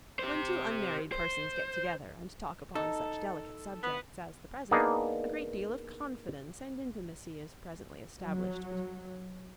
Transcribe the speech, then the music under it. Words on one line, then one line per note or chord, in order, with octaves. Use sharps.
When two unmarried persons get together, and talk upon such delicate subjects as the present, a great deal of confidence and intimacy is presently established between them.
G4 C5
C5
D#4 A4
B3
A#3 B3 D4 D#4 G#4
F#3